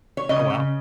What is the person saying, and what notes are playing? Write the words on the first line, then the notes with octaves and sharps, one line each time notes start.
Oh, wow.
C#5
C#3 D#5
C#3